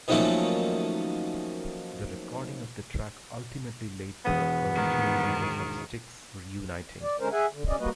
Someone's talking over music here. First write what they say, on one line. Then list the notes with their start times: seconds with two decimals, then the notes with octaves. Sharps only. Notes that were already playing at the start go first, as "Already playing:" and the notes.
The recording of the track ultimately led to the original members of Styx reuniting.
0.08 D#3 F3 F#3 A3 A#3 C#4
4.25 E1 B3 D#6 E7
4.74 G#2 D#3
7.03 D5
7.20 D3 G#3 C#4 A#4 C5
7.32 G#4 E5 F#5 G#5
7.52 D3
7.68 C3 C#4 D5 D#5
7.80 G3 A#3 F#4 B4 D#5